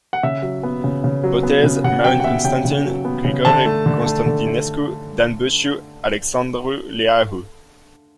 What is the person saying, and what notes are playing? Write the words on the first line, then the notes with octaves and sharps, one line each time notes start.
Botez, Marin Constantin, Grigore Constantinescu, Dan Buciu, Alexandru Leahu.
F#5
C#3 E5
F#3
B3
C#3
C#3
F#3
B3
C#3
C#3 F#5
F#3 G5
F#5
B3 E5
C#3 G5
C#3
F#3
B3
C#3
D3 A5
A3
D3
A3
D3
A3